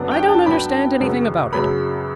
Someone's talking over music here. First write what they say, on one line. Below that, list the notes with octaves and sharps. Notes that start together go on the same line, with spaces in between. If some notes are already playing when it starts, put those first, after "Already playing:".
I don't understand anything about it.
Already playing: F#2 D3 F#3 B3 D4
G5
A5
F#2 D3 F#3 B3 D4 B5
F#2 C#3 F#3 B3
F#2 C#3 F#3 B3 B5